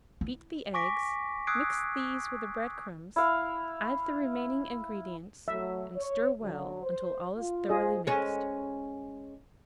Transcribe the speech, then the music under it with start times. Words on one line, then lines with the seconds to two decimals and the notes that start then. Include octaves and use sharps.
Beat the eggs, mix these with the bread crumbs, add the remaining ingredients, and stir well until all is thoroughly mixed.
0.21 E4
0.74 G#5 C#6 D6 A#6 B6 D7
1.47 D#6 E6 F#6 G#6 C7 D7
3.16 E4 F5
5.48 F#3 A3 E5
5.96 C#5
6.40 D3 F#3
6.82 C5
7.37 F4
7.69 F4 G#4 C5 D#5
8.07 G#3 C#4